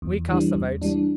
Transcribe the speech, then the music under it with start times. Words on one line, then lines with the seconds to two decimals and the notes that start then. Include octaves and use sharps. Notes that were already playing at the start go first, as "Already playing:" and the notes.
We cast the votes.
0.02 E2
0.28 E3 G3 D4
0.55 E2
0.81 E3 G3 D4